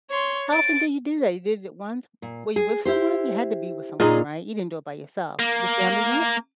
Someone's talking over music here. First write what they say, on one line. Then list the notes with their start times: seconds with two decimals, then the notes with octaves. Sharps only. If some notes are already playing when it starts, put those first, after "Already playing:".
How often do you do that? You did it once. Were you with someone? You had to be with someone, right? You didn't do it by yourself. Your family went?
0.10 C#5 C6
0.49 A6 D7
2.22 A#2
2.56 G#4
2.85 E4 G4 C5
4.00 A#2 D#4 G#4 D5 D#5
5.39 A#3